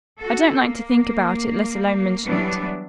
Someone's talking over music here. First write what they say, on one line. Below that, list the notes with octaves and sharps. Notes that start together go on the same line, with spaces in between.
"I don't like to think about it, let alone mention it."
F#4 A4
A#3
E3 F#3 G3 B3 D4